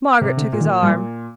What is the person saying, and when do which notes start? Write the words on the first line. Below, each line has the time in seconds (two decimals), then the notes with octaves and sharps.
Margaret took his arm.
0.21 C3
0.37 D3
0.52 A#2
0.60 D#3
0.82 A#2 G3